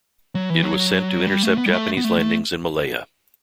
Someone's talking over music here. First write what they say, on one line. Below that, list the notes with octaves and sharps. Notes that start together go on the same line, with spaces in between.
It was sent to intercept Japanese landings in Malaya.
F#3
E3
F#3
G3
A3
B3
G3
A3
B3
A3
A3